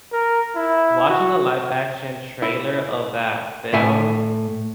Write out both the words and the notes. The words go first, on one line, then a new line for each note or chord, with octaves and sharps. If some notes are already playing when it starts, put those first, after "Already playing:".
watching the live-action trailer of that film
A#4
E4
F#4
E4
A2 E5 G#5